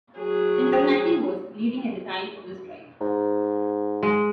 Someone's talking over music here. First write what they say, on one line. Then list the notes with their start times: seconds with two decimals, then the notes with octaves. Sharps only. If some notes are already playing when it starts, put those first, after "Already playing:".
Cincinnati was leading at the time of the strike.
0.18 F#3 G#4
0.72 C5 G5
3.01 G#2
4.03 G#3